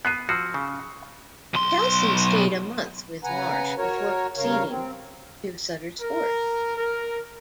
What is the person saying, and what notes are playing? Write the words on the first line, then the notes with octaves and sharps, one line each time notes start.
The Kelseys stayed a month with Marsh before proceeding to Sutter's Fort.
B3 F#6 C7 D#7
F3 F#4 E6 C7
C#3
B1 C6
C#3 B4 F#5 G#5 A#5
F#4 A#4 C#5
G2 C#3 A#4 C#5 F5
C4
A#4
A#4